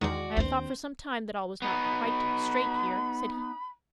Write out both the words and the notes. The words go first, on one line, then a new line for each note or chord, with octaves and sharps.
'I have thought for some time that all was not quite straight here,' said he.
E2 D#3 G#3 F#4 D5
D#2 C4 D4 C5
B3 D#4 B5